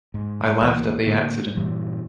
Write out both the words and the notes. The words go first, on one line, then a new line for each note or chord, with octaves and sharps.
I laughed at the accident.
G#2
D2 E3 G3 A#3
A2 D3 A#3
G2 A#2 E3 G3